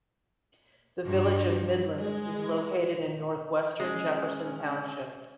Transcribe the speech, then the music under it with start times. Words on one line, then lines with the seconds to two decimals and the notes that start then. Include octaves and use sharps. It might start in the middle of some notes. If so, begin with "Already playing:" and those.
The village of Midland is located in northwestern Jefferson Township.
1.06 G2
1.98 G#3
3.80 G#3 C#4